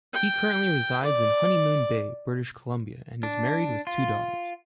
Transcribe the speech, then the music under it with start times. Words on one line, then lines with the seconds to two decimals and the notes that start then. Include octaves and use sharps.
He currently resides in Honeymoon Bay, British Columbia, and is married with two daughters.
0.14 G5
1.04 D5
3.23 D4
3.87 F4